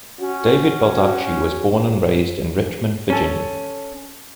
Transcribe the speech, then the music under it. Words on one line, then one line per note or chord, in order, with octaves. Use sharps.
David Baldacci was born and raised in Richmond, Virginia.
C#4 F#4
C#4 A4